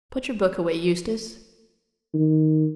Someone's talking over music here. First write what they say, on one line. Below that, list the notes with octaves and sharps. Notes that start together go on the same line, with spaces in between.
Put your book away, Eustace.
D#3